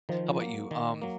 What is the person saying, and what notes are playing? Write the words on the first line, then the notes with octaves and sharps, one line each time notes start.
how 'bout you, um,
D#3 F3
F#3 A#3
D#3
F#3 A#3